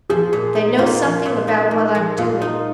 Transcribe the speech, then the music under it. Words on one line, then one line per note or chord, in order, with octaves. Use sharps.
They know something about what I'm doing.
F3 G#4
A#2
D#4
A#3 F4
F3
A#2
D#4
A#3
F3
A#2 F4
D#4